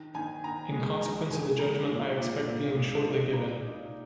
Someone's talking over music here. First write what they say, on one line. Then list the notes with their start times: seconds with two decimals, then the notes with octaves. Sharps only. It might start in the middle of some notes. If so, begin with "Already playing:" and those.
In consequence of the judgment I expect being shortly given.
Already playing: D#3
0.15 D#3 G#5
0.43 D#3 A#5
0.72 G#3
1.01 D#3 A#5
1.31 D#3 G#5
1.59 G#3 A#5
1.89 A#2
2.17 A#2
2.47 A#2
2.75 G#3
3.05 D#4
3.33 A#2 A#5
3.62 D#4